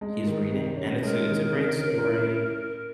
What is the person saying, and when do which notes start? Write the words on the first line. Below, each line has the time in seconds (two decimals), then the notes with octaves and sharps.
he's reading, and it's a it's a great story,
0.01 G#3
0.27 D#3
0.52 C3
0.77 C#4
1.03 G#3 A#4
1.28 D#3
1.53 C3
1.78 C#4
2.04 E4